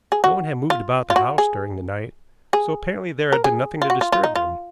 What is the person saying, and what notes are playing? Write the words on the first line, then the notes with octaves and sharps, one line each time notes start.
No one had moved about the house during the night, so apparently there had been nothing to disturb them.
G#4
F#4
F4
F4
F#4
G#4
G#4
A#4
G#4
F4
F#4
F4
F4
D#4
F4